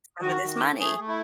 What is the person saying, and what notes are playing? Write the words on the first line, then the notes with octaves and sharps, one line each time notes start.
some of this money
D#3 F#4
D#3
A3
A3 G#4
A3
E4